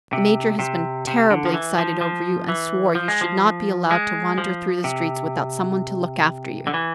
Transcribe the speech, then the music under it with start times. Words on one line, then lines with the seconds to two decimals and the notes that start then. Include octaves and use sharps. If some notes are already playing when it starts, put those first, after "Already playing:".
The Major has been terribly excited over you, and swore you should not be allowed to wander through the streets without someone to look after you.
0.13 C3
0.59 C3
1.07 C3
1.30 D3
1.45 F3
1.54 E3
1.78 F3
2.01 F3
2.49 E3
2.95 F3
3.08 G#3
3.21 F3
3.91 G#3
4.38 F3
4.84 C3
6.67 D3
6.74 E3